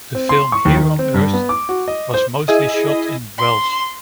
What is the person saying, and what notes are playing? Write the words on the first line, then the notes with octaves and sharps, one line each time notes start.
The film "Here on Earth" was mostly shot in Welch.
C4
C6
C#6
D#2
D#3
C4
G2
B3
D6
F#4
D#5
C5
E4 G#4 D#5
C6